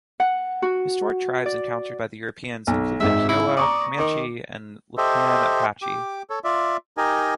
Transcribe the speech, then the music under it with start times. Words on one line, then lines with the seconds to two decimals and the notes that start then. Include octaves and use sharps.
Historic tribes encountered by Europeans included the Kiowa, Comanche, and Lipan Apache.
0.20 F#5
0.62 F#4
1.46 D5
2.67 B1
3.00 G#1 G#2 G#3 E5
3.29 E4
3.57 D5 A#5 C#6 D#6
3.99 D#3 D6
4.98 G4 A4 C5 D#5 E5
5.82 G4 D6
6.30 A4 C#5
6.44 F4 D5 E5
6.97 D#4 G4 A#4 D#5 G#5